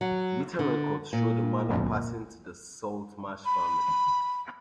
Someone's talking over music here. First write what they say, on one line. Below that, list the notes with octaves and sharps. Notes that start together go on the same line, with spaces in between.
Later records show the manor passing to the "Saltmarsh" family.
F#3
D3
A#2
B5